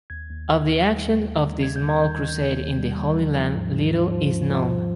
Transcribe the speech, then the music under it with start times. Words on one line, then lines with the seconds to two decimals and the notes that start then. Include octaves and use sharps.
Of the actions of this small crusade in the Holy Land little is known.
0.10 D#2 G#6
0.30 D#2
0.49 D#2
0.68 D#2
0.86 G3
1.06 D#2
1.25 D#2
1.44 D#3
1.63 D#2 G#6
1.76 G6
1.83 D#2
1.89 G#6
2.01 D#3 G6
2.15 G#6
2.20 D#3
2.28 G6
2.40 D#2
2.59 D#2
2.78 G3
2.97 D#2
3.17 F3
3.36 F3
3.55 G#2
3.74 G#2
3.93 F3
4.11 F3
4.31 G#2
4.50 F3
4.69 F3